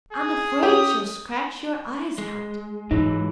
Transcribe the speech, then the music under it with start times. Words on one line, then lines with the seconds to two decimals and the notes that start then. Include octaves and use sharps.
"I'm afraid she'll scratch your eyes out."
0.12 G#4
0.63 C#4 G4 D#6
2.18 G#3
2.91 G#2 E3 F#3 D#4